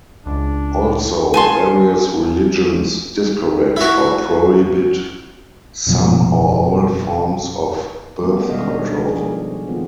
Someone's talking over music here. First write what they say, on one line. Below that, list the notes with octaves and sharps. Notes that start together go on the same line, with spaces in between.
Also, various religions discourage or prohibit some or all forms of birth control.
C#2 D4
G#5 A5 C6
E4 F#4
F#1 B2 F3
A3 B3 C#4
B2 D#3 G3 G#3 D#5 F5
D4 C#5
F3 F#4 G#4
D#3 B3 C4 F4